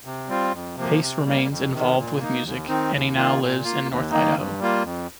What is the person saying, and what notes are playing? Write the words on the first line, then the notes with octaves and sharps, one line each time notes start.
Pace remains involved with music, and he now lives in North Idaho.
C3
G3 C4 F4
F2
C3 F3 A#3
C3
G3 A#3
F2
C3 D#3
A#2
A#3 D#4
D#2
D#3 C4 D#4
D#2
D#3 A#3 F4
A#2
A#3 F4
D#2
D#3 A#3 D#4
G2
G3 A#3 F4
F2